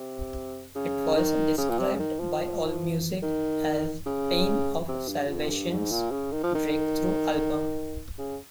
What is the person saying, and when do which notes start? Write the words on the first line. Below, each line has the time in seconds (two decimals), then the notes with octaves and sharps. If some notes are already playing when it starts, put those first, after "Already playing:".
It was described by Allmusic as Pain of Salvation's breakthrough album.
Already playing: C3
0.75 C#3
1.16 D#3
1.58 C#3
1.69 A#2
1.78 C3
1.95 C#3
1.99 D#3
2.20 F3
3.22 D#3
4.06 C#3
4.88 C3
5.08 G2
5.29 F2
5.50 G2
5.70 G#2
5.91 A#2
6.11 C#3
6.32 D#3
6.43 F3
6.55 D#3
8.18 C#3